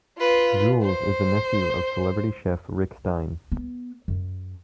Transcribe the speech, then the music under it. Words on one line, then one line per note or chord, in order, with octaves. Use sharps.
Jules is the nephew of celebrity chef Rick Stein.
F4 B4
C5
B3
F#2